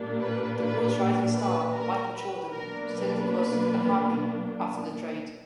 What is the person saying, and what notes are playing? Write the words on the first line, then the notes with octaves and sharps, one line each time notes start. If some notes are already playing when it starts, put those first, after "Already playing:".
The Bulls' rising star Michael Jordan stated he was "unhappy" after the trade.
Already playing: A#2 G3 A#3 D4
B4
B4
B4
A#4
B4
B2 F#3 A#3 D4 A#4
B4